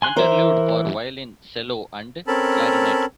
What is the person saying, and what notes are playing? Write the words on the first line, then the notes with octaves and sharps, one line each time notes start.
"Interlude", for violin, cello, and clarinet.
G#5 C6 F#6
E3 A#4 C5 E5
C4 C#4 A4 A#4 A5 B5